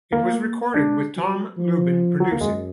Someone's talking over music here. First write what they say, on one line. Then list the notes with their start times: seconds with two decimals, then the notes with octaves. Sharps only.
It was recorded with Tom Lubin producing.
0.12 A#3
0.33 A#3
0.74 G#3 D4
1.16 F#3
1.58 F3
2.20 F#3
2.32 A#3
2.41 F#2 G#3